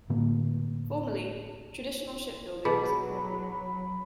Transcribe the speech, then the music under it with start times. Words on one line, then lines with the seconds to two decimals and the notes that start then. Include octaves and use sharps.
Formerly, traditional ship building was important.
0.10 A2 D3 A#3
2.65 B2 F#3 G#4 B5